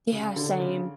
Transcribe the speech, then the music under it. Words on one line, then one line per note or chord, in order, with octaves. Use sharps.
Yeah, same.
C#3
D3
C#3